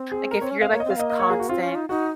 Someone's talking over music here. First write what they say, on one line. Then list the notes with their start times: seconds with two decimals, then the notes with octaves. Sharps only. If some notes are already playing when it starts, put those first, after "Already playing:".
Like, if you're, like, this constant,
Already playing: C4
0.12 G#4
0.31 A#4
0.40 C4 C#5
0.51 C#4
0.60 C4 F5
0.71 A#3 C#5
0.80 D#5
0.84 C4
0.90 F5
0.96 A#3 D#5
1.10 D#5
1.19 C#5
1.30 G#4
1.39 F#4
1.49 C4 F4
1.63 C#4
1.75 D#4
1.89 D#4 F#4